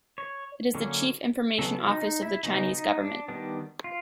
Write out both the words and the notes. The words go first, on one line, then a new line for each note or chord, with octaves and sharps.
It is the chief information office of the Chinese government.
C#5
D3 F#3 A#3 C#4
C#3 F#3 B3 A4
D#4
D#4
E4
C#3 F#3 B3 D#4
D#4
D4
D#3 G3 B3 D4
F4